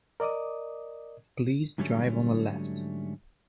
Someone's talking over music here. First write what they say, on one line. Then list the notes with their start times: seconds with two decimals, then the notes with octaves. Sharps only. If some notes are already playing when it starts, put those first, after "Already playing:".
Please drive on the left.
0.20 A#4 D5 D#5 D6 D#6
1.78 G#2 D3 F#3 G3 A3 C#4